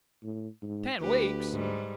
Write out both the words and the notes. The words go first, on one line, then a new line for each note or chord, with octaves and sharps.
"Ten weeks!"
A2
G#2
D2 G4 B4
G#2 G3